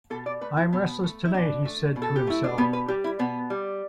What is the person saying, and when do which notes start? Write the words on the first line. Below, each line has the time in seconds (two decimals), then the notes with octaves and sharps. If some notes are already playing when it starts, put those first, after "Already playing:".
"I'm restless tonight," he said to himself.
0.10 B2 A4
0.26 D5
0.41 A3 B4
0.57 E4
0.72 B2 B3
1.03 A3
1.25 E4
1.34 B2 D4
1.65 A3
1.96 B2
2.02 A4
2.16 G4
2.27 A3 E4
2.44 D4
2.58 B2 B3
2.73 B4
2.88 G3 G4
3.04 E4
3.19 B2 B3
3.50 G3